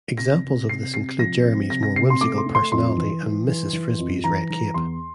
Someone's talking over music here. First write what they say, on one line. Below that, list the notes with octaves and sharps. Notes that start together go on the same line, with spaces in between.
Examples of this include Jeremy's more whimsical personality and Mrs. Frisby's red cape.
C3 A#6
C3
C3 C7
C3 C7
F3 A#6
C4
C3 A#6
A#6
C3 C7
C6
A3 D6
C6
A3
C6
F2 C6
E3
E3
E3
E3
F2
E3 A#5
E3
E2 C6